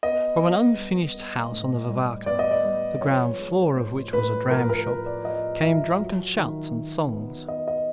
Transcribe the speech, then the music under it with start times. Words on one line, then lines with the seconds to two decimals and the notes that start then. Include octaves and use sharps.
From an unfinished house on the Varvarka, the ground floor of which was a dramshop, came drunken shouts and songs.
0.03 B3 D#5
0.41 B3
0.78 G3
1.15 B3
1.52 A2
1.89 G3
2.26 B3 D5
2.39 D#5
2.51 D5
2.65 G3
3.01 F3 C#5
3.39 G#3
3.76 A2 C5
4.13 A2 B4
4.50 F3 A#4
4.70 A#4
4.87 A2 B4
5.06 D5
5.25 F3 D#5
5.62 F3 E5
6.00 F#3
6.37 D#3
6.74 D#3
7.12 B3
7.48 B3 D#5
7.68 D#5